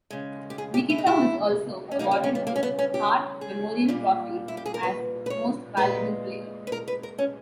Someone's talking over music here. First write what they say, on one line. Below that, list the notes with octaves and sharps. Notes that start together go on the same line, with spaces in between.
Mikita was also awarded the Hart Memorial Trophy as most valuable player.
C#3 G#3
G4
G#4
G4
E4
D#4
E4
C#4
C#3 G3 A#3 D#4
D#4
C#4
B3
A#3
C#4
B3
C#4
G4
G#4
A#2 G3 A#3
E4
G4
G#4
A#4
B4
B4
C#5
A#2 G#3 B4
B4
A#4
B4
A#4
C#4